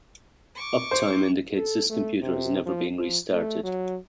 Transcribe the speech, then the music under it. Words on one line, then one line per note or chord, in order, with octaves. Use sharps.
Uptime indicates this computer has never been restarted.
C#6 D6
C5
A4
A3
C3
F3
F3
A3
F#3